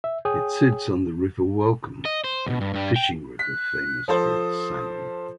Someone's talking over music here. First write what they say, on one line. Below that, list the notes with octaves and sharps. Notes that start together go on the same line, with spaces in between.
It sits on the River Walkham, a fishing river famous for its salmon.
E5
G#4 C#5 G5 G#5 D#6
D#5
C5
C#2 B2
G2
G2 G3
G5
F#6 B6
F3 A4 C5 D#6